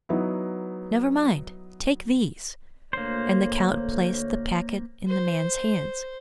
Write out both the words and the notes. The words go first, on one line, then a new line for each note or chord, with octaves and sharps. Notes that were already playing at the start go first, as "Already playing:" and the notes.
"Never mind--take these;" and the count placed the packet in the man's hands.
F#3 B3 D#4 E4
D2 A#3 C5 C#5
C5